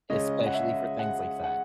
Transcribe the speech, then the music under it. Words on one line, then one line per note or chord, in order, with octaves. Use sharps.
especially for things like that.
C#2 C#3 G#3 C#4 D#5
F#5
E5
F#5
F#5